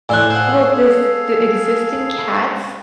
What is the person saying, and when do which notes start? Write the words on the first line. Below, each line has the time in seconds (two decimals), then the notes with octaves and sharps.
Well, does the existing cats,
0.09 A2 D5 G#5 C6 C#6 E6 F#6
0.30 G#4 A4 C5 F5 F#5 E6